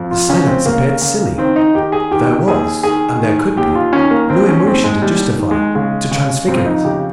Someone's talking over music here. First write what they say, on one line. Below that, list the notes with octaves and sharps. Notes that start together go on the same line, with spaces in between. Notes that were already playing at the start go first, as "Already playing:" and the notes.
The silence appeared silly; there was, and there could be, no emotion to justify, to transfigure it.
Already playing: F2
F4
C#3 C#4
C4
C#3 A#3
C#3
D#3 C4
D#4
D#3 G4
G#4
D#3 G4
D#2 G#4
D#3 G#4
D#3
D#2 G4
F4
D#3 C#4
A#3
D#2 C4
C#4
D#2 C4
G#3
D#2 G3
D#3
G#3
C#3 G#3
C#3
F2 C4
D#4
C#3 G4